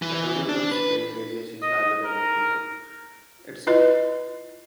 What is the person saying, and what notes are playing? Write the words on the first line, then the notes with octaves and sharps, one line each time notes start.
The tornado's wind radius is larger than the funnel itself.
E3
D4
B4
D#5
A#4
E4 F4 B4 D#5